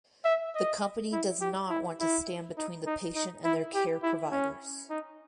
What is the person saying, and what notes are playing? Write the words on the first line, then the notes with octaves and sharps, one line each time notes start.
The company does not want to stand between the patient and their care providers.
E5
D#5
E4
G4
E4
E4
D#4
D#4
D#4
E4
G4
E4
C#4
D#4